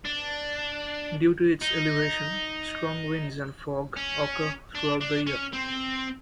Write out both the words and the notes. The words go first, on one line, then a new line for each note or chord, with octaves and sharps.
Due to its elevation, strong winds and fog occur throughout the year.
D4
D#4
C#4
D4
D4
C#4
C4